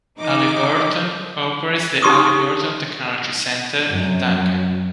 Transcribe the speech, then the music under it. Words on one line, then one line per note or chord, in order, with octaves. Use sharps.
Halliburton operates the Halliburton Technology Center in Duncan.
D#3 D#4 D6
D#4 G4 C6 C#6 D#6
F#2